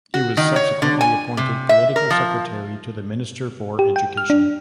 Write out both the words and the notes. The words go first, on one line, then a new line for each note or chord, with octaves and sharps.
He was subsequently appointed political secretary to the Minister for Education.
F#4
D#3
C#5
D3
G#5
C3
E5
A#4
F3
G4
G5
F6
D4